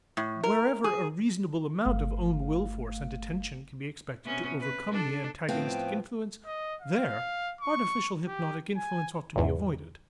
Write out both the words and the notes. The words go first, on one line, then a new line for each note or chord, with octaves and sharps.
Wherever a reasonable amount of own will force and attention can be expected to overcome the antagonistic influence, there artificial hypnotic influence ought to be avoided.
A2
A#4
G#4
G1 A3 F5
C3 B3 C#4
B4
D4 A4
A2 F3 B3 C4 F5 G5
D#5
F5
C#6
G4
G#5
G#1 E2